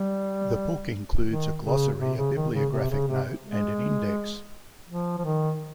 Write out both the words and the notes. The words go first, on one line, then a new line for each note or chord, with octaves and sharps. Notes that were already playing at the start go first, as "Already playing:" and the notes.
The book includes a glossary, a bibliographic note, and an index.
Already playing: G3
D#3
C#3
C3
C#3
D#3
C#3
C3
C#3
C3
G#3
F3
F3
D#3